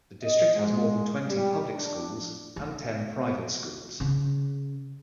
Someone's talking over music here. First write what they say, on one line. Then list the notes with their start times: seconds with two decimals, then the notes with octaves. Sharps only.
The district has more than twenty public schools, and ten private schools.
0.23 D#5
0.55 G#3
1.26 G3
1.75 D4
2.56 A3
4.00 C#3